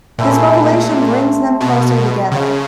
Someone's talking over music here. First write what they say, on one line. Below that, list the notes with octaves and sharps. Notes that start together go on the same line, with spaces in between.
This revelation brings them closer together.
A#2 A3 C4 E4 G#4
B2
C#3